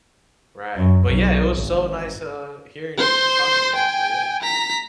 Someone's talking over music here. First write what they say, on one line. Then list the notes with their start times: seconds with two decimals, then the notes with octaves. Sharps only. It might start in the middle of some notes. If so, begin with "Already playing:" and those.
Right. But, yeah, it was so nice, uh, hearing talking to you, but, yeah.
0.76 F#2
1.06 B1
1.56 G#1
2.98 C5 C6
3.75 G5 G#5
4.42 A#5 B6